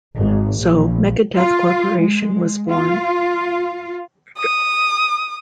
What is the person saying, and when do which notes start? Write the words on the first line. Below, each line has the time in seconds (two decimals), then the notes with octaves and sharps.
So Mega Death Corporation was born.
0.16 G#1
0.60 A#1
1.36 F4
1.99 G#3
2.68 F4
4.38 D#6